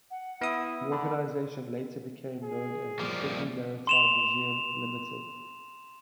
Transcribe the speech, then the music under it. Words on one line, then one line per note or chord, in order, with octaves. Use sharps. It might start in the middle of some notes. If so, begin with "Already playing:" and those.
The organisation later became known as the "Sydney Maritime Museum Ltd".
F#5
B3 E4 D#6
D3 B5
G#4
F3 G3 A#3
C6 E7 F7